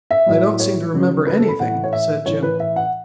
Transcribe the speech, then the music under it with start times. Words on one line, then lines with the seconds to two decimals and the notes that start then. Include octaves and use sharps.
"I don't seem to remember anything," said Jim.
0.11 E5
0.26 A2 F#3
0.60 C#5
0.93 C#2 C#3 F#3
1.27 B4
1.38 A4
1.48 B5
1.59 A2 E3 F#5
1.84 C#5
1.93 E5
2.26 A2 E3 C#5
2.43 B4
2.60 E5
2.76 F#5